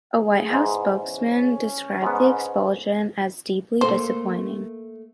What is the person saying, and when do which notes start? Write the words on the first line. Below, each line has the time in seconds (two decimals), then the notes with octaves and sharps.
A White House spokesman described the expulsion as "deeply disappointing".
0.19 G#4
0.50 E2 G#2
1.06 C#4
2.02 G#2 B3
3.81 A3 A#3 C5